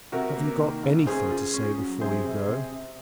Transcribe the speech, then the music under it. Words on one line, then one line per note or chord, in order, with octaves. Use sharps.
"Have you got anything to say before you go?"
C3 F#4 A#4
A#3
D#3
C2
C#4 G#4 C5
F4
C#4
F#3
C3 G#4 C5
C3
C3
C3